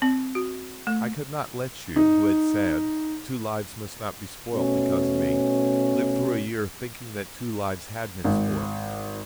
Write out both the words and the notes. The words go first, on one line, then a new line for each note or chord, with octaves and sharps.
I could not let you, who had said 'Two lives must not be spoilt because of me,' live through a year thinking that two lives had been spoilt.
C4
F#4
A3
D#4
B2 A3 C#4
G#1